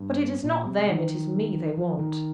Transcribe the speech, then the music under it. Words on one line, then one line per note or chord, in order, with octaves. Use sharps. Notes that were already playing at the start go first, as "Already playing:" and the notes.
But it is not them--it is me they want.'
Already playing: G2
A#2
C3
D#3
F3
D#3